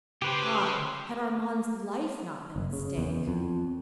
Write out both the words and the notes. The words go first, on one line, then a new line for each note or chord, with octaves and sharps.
Ah! had Armand's life not been at stake! . . .
C#3 G4 B4 C5
F#1
C#3
E2
F2